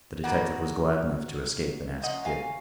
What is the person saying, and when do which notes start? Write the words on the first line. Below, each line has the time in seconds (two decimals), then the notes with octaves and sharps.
The detective was glad enough to escape and ask Dick.
0.24 B2 F#3 A#3 F#5
2.02 F3 A#3 C#4 D#5 F#5
2.25 F5 G#5